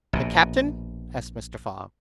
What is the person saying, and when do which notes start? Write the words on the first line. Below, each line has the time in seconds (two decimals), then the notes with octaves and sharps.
"The captain?" asked Mr. Fogg.
0.13 A#1 B2